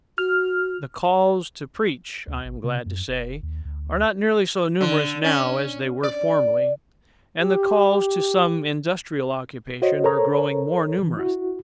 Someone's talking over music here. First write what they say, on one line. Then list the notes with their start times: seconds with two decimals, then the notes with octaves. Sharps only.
The "calls" to preach, I am glad to say, are not nearly so numerous now as they were formerly, and the calls to some industrial occupation are growing more numerous.
0.18 F#4 F6
2.27 D2
2.45 G#1
2.64 C3
2.86 F#2
3.09 E1
3.43 D#2
3.65 D2
3.87 D2
4.81 D3
5.24 C#4
6.03 D5
7.42 G4
9.82 F#4 C5 C#5 D#5
10.04 A4 A#4 C5 C#5 A#5
11.02 E3
11.17 E4 F#4